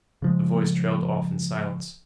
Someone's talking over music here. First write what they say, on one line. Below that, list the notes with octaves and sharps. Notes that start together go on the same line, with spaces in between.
The voice trailed off in silence.
C#3 F3 G#3